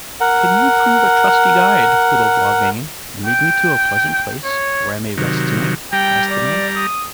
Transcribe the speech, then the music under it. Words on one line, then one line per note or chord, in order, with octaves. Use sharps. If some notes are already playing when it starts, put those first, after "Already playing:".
"And can you prove a trusty guide, little Gauvain, and lead me to a pleasant place where I may rest to-night?" asked the knight.
A#4 F#5
G5
C#5
C3 D#3 F#3
G3 G5 A#5
D5
D#6